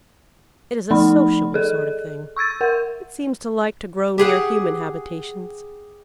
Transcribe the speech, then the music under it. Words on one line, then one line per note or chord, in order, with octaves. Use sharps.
It is a sociable sort of thing; it seems to like to grow near human habitations.
F3 A3 D#4 B5
G#4 A4
C#6 E6 G#6 A6
A#4 F#5
G4 G#4 F#5